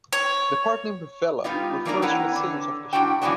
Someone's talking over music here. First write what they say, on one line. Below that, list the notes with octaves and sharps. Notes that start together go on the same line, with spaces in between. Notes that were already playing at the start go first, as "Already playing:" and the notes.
The part named "Vela" refers to the sails of the ship.
C#5
G3 B3 D#4 F4
E3 A#3 D4 D#4 A#4 D5
C4 E4 B4 C#5 F#5 A#5
D3
G#2 F3 D4 E4 F#4 G5
C#3 E3 F#3 G#3 B3 D4